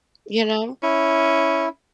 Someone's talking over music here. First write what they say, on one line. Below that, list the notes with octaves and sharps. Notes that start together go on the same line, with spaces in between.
you know?
C#4 E4